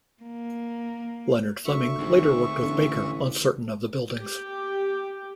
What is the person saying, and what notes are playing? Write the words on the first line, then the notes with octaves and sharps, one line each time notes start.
Leonard Fleming later worked with Baker on certain of the buildings.
A#3
D2 E5 C#6
G#1 D2
A1 D3
G4